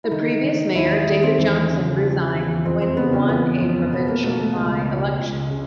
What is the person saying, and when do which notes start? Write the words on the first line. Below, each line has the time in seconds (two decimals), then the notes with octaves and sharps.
The previous mayor David Johnson resigned when he won a provincial by-election.
0.04 E4
0.11 D#3 D#4
0.43 D#3
0.75 D#2 E4
0.91 G#4
1.07 D#2
1.23 C4
1.38 E2 C4
1.70 C#3
2.02 F3
2.33 E2
2.65 F2 C4
2.82 C4
2.97 C#3 B3
3.13 C#4
3.29 E3 B3
3.61 F2
3.92 B2 B3
4.08 A#3
4.24 B2 A3
4.40 A3
4.56 C#2 G#3
4.88 C#2
5.19 C#2
5.51 C#3